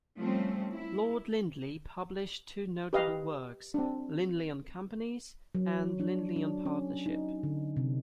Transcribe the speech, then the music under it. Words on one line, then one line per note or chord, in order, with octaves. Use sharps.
Lord Lindley published two notable works, "Lindley on Companies" and "Lindley on Partnership".
F3 G3 A3 C4 C#4
E4
G4 B4 D#5 F5
C4 D4
F#3
D4
D4
C#4
D#4
D3
C3